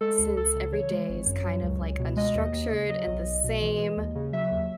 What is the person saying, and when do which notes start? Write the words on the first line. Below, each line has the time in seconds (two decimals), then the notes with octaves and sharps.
since every day is kind of, like, unstructured and the same,
0.01 G#3 A4
0.19 C#2
0.37 C#2 A4
0.55 C#3
0.72 E3 C#5
0.91 G#3
1.09 G#1
1.26 F#2
1.45 F#3
1.62 C#2
1.81 C#2
1.99 B2
2.16 G#3 D#5
2.35 D#2
2.53 D#2
2.71 C#3
2.89 F#3 D#5
3.07 B1
3.25 B1
3.44 B2
3.61 E3
3.79 G#3
3.97 D#2
4.15 C#3
4.33 F#3 E5
4.51 D#2